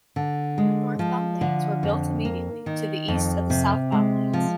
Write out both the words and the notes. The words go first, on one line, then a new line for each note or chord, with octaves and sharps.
New northbound lanes were built immediately to the east of the southbound lanes.
D3
G#3
F3
D3
F2
A#3
D#3
F2
C3
G#3
F3